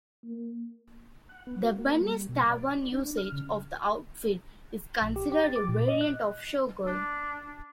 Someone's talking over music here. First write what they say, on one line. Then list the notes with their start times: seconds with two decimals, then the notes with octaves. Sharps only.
The Bunny's Tavern usage of the outfit is considered a variant of Showgirl.
0.24 A#3
1.29 F#5
1.47 B3
1.63 F#4
1.79 A#3
2.01 G3
2.29 B2
2.50 D5
2.92 D4
3.17 F6
3.32 C#3
5.02 A#1
5.16 G4
5.32 G4
5.44 A6
5.56 D6
5.68 A#2
5.88 D#5
6.01 F#6
6.87 D4